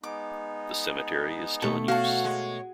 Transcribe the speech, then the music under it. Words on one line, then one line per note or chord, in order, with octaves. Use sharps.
The cemetery is still in use.
G#3 B3 D#4 D6
B2 A3 A4
F#4 C#5 F5 A5
G#3